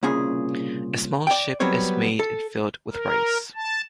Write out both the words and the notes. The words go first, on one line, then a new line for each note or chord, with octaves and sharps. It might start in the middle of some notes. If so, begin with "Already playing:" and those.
A small ship is made and filled with rice.
C2 A#2 C#3 G#4
D5 G5
F#3 G3 B3 C4 C#5
A4
A#4
A5